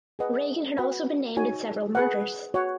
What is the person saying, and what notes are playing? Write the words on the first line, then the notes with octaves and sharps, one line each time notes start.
Regan had also been named in several murders.
G#4 B4 D#5 F#5
F#4 B4 F#5 B5
D#4 F#4 C#5 G#5
G#4 B4 F#5
F#4 C#5 F#5